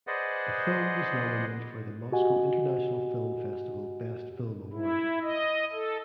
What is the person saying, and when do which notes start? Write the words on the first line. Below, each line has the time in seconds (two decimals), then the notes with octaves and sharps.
The film was nominated for the Moscow International Film Festival best film award.
0.07 G#4 B4 C5 D5 D#5 F#5
2.12 F#4 G4 D#5 F#5 G#5
4.73 E4
5.22 D#5
5.72 A4